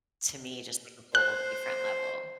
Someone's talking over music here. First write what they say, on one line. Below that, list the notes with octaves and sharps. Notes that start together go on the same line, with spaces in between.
to me just like a whole different level.
C5 F#6